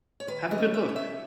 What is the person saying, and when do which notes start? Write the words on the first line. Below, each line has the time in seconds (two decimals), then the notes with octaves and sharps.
Have a good look.
0.20 C#5
0.27 D#3 B4
0.51 D#5
0.58 C#4
0.74 E5
0.89 C#4
0.96 E5